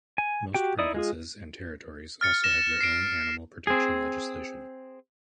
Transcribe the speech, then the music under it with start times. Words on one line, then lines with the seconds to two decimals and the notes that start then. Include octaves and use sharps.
Most provinces and Territories also have their own animal protection legislation.
0.18 G#5
0.54 F#4 G4 G5
0.79 D#4 E4 D5 D#6
0.94 G#3 F4 G#4
2.21 F6 A6 C#7
2.44 A#6 E7
2.81 C7 D7
3.67 C4 G#4